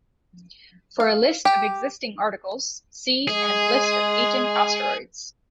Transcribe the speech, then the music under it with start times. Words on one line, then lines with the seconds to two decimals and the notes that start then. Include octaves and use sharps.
For a list of existing articles, "see and List of Aten asteroids".
1.00 F5
1.45 G4
3.28 G#3 G#4